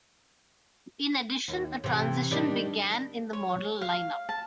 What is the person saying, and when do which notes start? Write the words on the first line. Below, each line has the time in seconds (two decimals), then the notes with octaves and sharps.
In addition, a transition began in the model lineup.
1.48 D#2
1.84 C3 E3
2.31 D#3 G3 D4
3.33 C#5
3.81 F5
4.29 A5